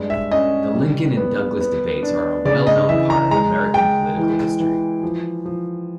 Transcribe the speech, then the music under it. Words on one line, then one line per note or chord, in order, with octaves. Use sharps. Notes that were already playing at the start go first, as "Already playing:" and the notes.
The Lincoln and Douglas debates are a well known part of American Political history.
Already playing: G2 G#3
E5
C#4 D#5
G3
B3
B3
D4
C#3 D5
D#5
E3 E5
A#5
G#3 A#5
G#3 G5
E3
E3
F3
F3